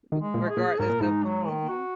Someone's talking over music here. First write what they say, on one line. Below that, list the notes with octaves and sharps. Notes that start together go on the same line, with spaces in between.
r regardless of mhm.
D#3
G#3
A#2
G#4
A#2
G#2 A#4
A#2
G#2 D#4
F#3
D#3
F#4